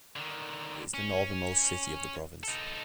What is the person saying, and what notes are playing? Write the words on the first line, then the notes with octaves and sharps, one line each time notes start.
It is the northernmost city of the province.
D3 D#3
C#4
D#4 A4